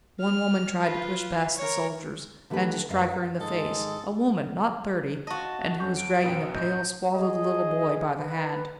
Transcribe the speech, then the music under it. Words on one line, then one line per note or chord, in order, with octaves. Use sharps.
One woman tried to push past the soldiers, and to strike her in the face--a woman! not thirty!--and who was dragging a pale, squalid little boy by the hand.
F6
F4 B4
A#4 C#5
D3 E3 A3 G4 B4
F#2 B4 F5
G#2 D#3 G#3 A4 D#6
F#4 D#5 A5
F2 C#4 C#6 G6
D7
F#2 B2 E3 B4 G5
A1 D#5 G6
G#4 D#5
B4